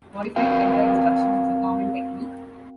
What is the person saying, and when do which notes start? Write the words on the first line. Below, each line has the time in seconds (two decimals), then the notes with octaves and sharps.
Modifying entire instructions was a common technique.
0.36 C4 F#4 A#4 F5 G5